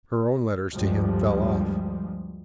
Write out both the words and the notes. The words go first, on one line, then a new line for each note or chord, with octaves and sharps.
Her own letters to him fell off.
D2 G2 F3 G3 G#3